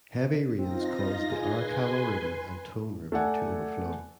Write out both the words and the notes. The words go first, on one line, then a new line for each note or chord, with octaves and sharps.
Heavy rains caused the Arakawa River and Tone River to overflow.
C4 D#4 F4 A#6
G#4 B4 G#5 C6
A3 A4 D5 F#5 G#5